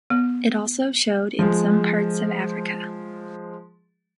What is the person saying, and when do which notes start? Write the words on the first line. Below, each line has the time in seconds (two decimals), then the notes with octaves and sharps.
It also showed in some parts of Africa.
0.10 B3
1.39 F3 G#3